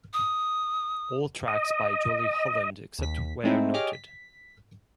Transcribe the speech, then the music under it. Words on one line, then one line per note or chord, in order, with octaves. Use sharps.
All tracks by Jolie Holland except where noted.
D#6
D#5
D#2 B6
G#3 A3 C4 D#4 E4
G4 G#4 C#5 D#5 D6 F6
B6